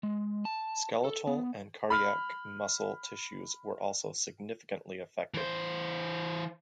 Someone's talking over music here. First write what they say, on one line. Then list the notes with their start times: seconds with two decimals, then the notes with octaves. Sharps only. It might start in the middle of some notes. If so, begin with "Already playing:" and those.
Skeletal and cardiac muscle tissues were also significantly affected.
0.03 G#3
0.45 A5
1.05 A4
1.27 B3
1.90 B5 F6
5.34 E3 C5